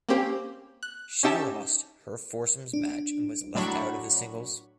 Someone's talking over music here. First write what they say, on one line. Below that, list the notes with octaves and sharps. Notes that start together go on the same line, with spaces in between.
She lost her foursomes match and was left out of the singles.
A#3 C4 C#4 G4 C5
F#6
C#4 D#4 G4 E5 G5 A5
D4
A2 F#3 D4 B5 C#6